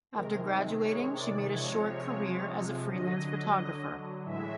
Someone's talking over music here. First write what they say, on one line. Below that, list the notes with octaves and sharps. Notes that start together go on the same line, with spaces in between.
After graduating, she made a short career as a freelance photographer.
C3 D#3 G#3 A#4
C#5
D5
C3 F3 G#3 C#5
D3 F#3 D#5
A2 E3 G#3 E5